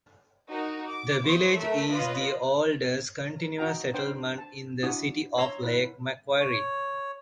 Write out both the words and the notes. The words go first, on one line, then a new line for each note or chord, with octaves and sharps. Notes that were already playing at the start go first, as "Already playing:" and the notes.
The village is the oldest continuous settlement in the City of Lake Macquarie.
D#4 F#4 A#4
D6
B3 E4 C5 C6 C#6 D#6
A3 A#4 E5
F4 B4 C#5 D#5
D#4 F#4 G5 A#5
D4 B4 C5 G5
A5
D4 E4 F#4 D#6
C#5 A#5 C6 E6
E4 B4
C#5